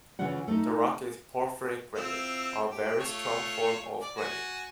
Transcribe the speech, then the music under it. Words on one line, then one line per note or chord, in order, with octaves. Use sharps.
The rock is porphyritic granite, a very strong form of granite.
C#3 E3 F3 C#4 F4 F#5
A3 D#4
C4 E4 F4
G4
A3 F4 C#5
D5
F#4 G#5